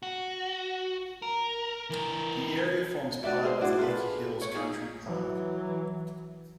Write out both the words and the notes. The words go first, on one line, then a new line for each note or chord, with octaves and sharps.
The area forms part of the Lickey Hills Country Park.
F#4
A#4
E3 A#4
D#4 F#4 D5 E5
G#4 C5
D4 E4 F#4 D5
F4 G#4 A4 B4
C#5
D#4 F4 G#4
E3 F#3